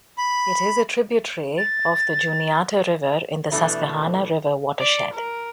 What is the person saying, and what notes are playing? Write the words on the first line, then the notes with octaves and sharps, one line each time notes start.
It is a tributary of the Juniata River in the Susquehanna River watershed.
B5
A6
B2 E3 A3 D4
D5
A#4